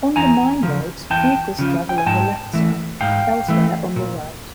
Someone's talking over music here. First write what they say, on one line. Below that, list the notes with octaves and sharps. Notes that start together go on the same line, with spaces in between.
On the mine roads, vehicles travel on the left side, elsewhere on the right.
E2 G#5 A#5
C#3 F3
E2 G5 A5
C#3 F3
G5
G#5
G#2 G5 A5
E3 A3
G#2 F5 G5
E3 A3
A#2